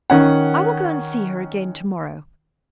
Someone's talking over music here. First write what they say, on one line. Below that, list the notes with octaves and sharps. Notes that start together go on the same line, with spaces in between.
I will go and see her again to-morrow.
D#3 C#4 F#5